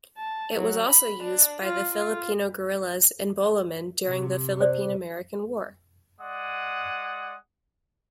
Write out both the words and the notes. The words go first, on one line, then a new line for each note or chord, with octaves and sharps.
It was also used by the Filipino guerrillas and bolomen during the Philippine-American War.
A5
F#3
B5
D4
F4
F4
C3
C5 D5
G#3 D5 F#5 D#6